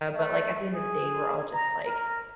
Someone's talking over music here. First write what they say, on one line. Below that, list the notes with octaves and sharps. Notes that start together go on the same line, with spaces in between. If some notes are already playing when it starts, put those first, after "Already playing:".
but, like, at the end of the day, we're all just, like,
A3
G#4
A#5
A#4